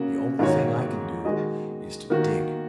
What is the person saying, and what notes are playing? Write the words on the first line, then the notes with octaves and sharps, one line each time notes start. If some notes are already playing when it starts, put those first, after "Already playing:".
The only thing I can do is to dig.'
Already playing: C#3 A#3 F#4
G#2 D#3 A#3 F#4 C#5
D#3 G#3 F#4 D#5
D#3 A#3 F#4